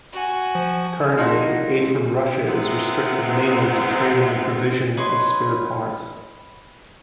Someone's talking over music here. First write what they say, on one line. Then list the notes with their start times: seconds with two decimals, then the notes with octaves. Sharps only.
Currently, aid from Russia is restricted mainly to training and provision of spare parts.
0.13 F#4 G#5
0.55 F3
1.17 F3 D#4 E4 F#4
2.46 D#3 G#3 B3 C4 E4
4.97 B4 C#5 D#5 C6